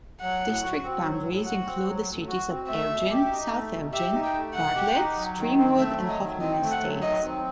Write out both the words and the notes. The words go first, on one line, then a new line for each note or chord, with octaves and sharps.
District boundaries include the cities of Elgin, South Elgin, Bartlett, Streamwood, and Hoffman Estates.
F#3 F#5
A2
F#4
C4
F#3
A2
F#4 F#5
C4
F#3
A2
F#4
C4
A3 E5
B2
G4
D#4
A3
B2
G4 E5
D#4
G5
A3
B2 F#5
G4
D#4
F#3
D#3
C4
A3 E5
F#3
D#5
D#3
C4 D#5
A3
F#5
F#3
D#3 D#5
C4